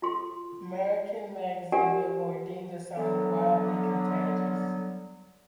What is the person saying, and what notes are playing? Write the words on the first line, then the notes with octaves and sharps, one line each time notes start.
American magazine "Billboard" deemed the song "wildly contagious".
F4 A4 C6
F4 G4 A#4 D5 F#5 G#5
D3 F#3 G3 B3